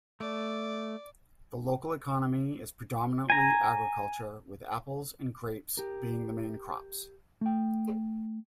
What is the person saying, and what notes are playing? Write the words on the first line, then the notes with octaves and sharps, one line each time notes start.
The local economy is predominantly agricultural, with apples and grapes being the main crops.
A3 D5
G#5 A#5
G4 A#4
A3 G5